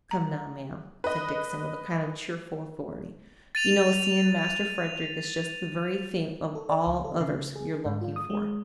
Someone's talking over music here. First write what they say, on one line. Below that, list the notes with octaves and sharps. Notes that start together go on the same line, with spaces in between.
'Come now, ma'am,' said Dixon, with a kind of cheerful authority, 'you know seeing Master Frederick is just the very thing of all others you're longing for.
A#5
B4 D#5
A6 D#7 F7
A4
D5
C#2
A4
C#3
G#4
G#2
F4
D#6
G#3